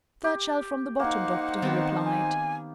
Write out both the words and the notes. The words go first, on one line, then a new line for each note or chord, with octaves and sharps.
"Third shelf from the bottom, doctor," he replied.
G4
A#3 D#4 C5 F#5
D#3 B3 C4
G#5